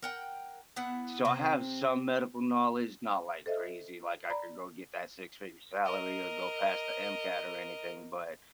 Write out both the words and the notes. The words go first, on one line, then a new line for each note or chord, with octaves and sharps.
so, I have some medical knowledge not like crazy, like, I could go get that six-figure salary or go past the MCAT or anything, but
A#4 F#5 G5
B3 E4 F#5
C3 C4
A4 C5 D#5 E5
D5 A#5 B5
A#4 D#5